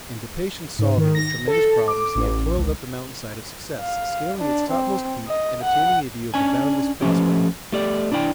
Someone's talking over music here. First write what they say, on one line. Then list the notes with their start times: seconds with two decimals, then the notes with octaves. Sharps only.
In the patient solving of tremendous problems he had toiled up the mountain-side of success--scaling its topmost peak and obtaining a view of the boundless prospect.
0.79 G#2
0.98 D#3
1.15 A#6
1.48 A4
1.88 D6
2.15 A1
2.56 C#2
3.79 F5
4.38 D4
4.70 C4
5.27 D#5
5.63 F#5
6.34 C#4 D4 G#5
7.01 F3 A3 C#4 G4
7.72 A3 G4 D5
8.12 D4 E4 D5 F#5 G5